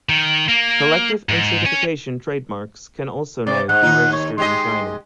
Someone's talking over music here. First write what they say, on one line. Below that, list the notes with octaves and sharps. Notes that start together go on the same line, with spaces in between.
Collective and certification trademarks can also now be registered in China.
D#3
A#3
G#2
C#5 G#5
C3 D5
G#2 F#5
D#2 D#4
C#5
G#3 G4 D#5 C6